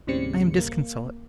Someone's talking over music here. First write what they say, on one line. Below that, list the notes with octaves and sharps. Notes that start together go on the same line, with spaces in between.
I am disconsolate.
D#2 A2 C#3 G3 C4 C#7
A#3